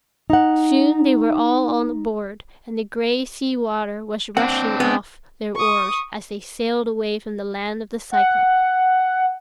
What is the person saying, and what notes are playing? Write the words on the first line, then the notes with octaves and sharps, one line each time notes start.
Soon they were all on board, and the gray sea-water was rushing off their oars, as they sailed away from the land of the Cyclopes.
D#4 F#5
C4 D4 F#5
B3
C#6 D#6
F#5